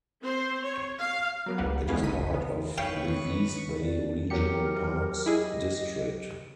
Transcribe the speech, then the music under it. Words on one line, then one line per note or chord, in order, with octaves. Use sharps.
It is part of the East Bay Regional Parks District.
C4 C5
C#5
F5
F#3 A#3 B3
G1 C#2 G3 A#3 B4 F#5
G#3 A3 B3 C#4 E4 F5
G#1 C#2 D#4 B6 D#7
C#3 B3
B2 D#3 E3 B4 C#5 F5 G5 C#6
D5
E2 F#3 G4 A#4 C#7
E4 G#4 D#5